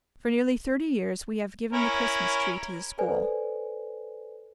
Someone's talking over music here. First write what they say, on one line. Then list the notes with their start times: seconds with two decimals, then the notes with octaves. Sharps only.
For nearly thirty years we have given the Christmas tree to the school.
1.73 C#4 E4 A#4
2.98 A4 B4 C5 D5 G#5